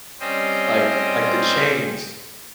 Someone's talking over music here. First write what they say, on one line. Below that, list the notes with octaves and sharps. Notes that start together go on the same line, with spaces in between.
like like the chains.
G3 C4 C#4 C5 D#5 G5